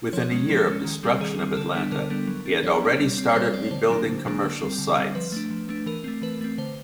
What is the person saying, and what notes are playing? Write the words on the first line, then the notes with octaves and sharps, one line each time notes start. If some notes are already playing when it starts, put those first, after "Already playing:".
Within a year of destruction of Atlanta, he had already started rebuilding commercial sites.
F3 C#5
G#3 C#4
F3 A4
G#3 C#4
D#3
G3 C4
D#3 G#4
G3 C4
D3 A4
G3 B3 D4
D3 A#4
G3 B3 D4
F#3
B3 D4
F#3 C#5
B3 D4
G3
C4
C#5
G3 C5
C#5
C4 D5
C#5
D3 C5
F#3 A#3 D4
D3
F#3 A#3 D4
D3
G3 C4
D3
G3 C4
F3 B4
A3 D4
F3
A3 D4
E3 A#4
A3 C4
E3 B4
A3 C4
D3 C5